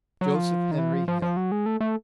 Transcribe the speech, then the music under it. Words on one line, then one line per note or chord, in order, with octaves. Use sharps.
Joseph Henry Hill.
F#3
F3
D#3
E3
F3
F3
F3
F#3
G#3
A3
A3